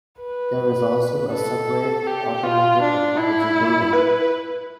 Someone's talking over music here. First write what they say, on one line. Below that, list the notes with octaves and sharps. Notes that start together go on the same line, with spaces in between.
There is also a separate automotive technology building.
B4
A4
G4
F4
D4
E4
B4